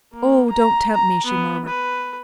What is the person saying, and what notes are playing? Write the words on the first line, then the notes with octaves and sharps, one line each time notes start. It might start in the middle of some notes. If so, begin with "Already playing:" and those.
"Oh, don't tempt me!" she murmured.
A#3
A#5
A#5
B3
B4